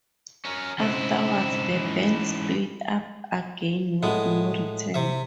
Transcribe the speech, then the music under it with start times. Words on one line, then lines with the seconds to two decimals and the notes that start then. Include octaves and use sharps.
Afterwards, the band split up again with no return.
0.45 C#4 A#4
0.79 G#2 C#3 C4 E4
1.71 E3 C#4
4.03 A2 G#3 B3
4.94 C3 E5